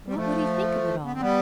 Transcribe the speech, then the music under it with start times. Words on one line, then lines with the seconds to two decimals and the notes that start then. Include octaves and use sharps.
What would he think of it all!
0.07 G3
0.15 F3 A3
1.04 B3
1.13 C4
1.20 G3 B3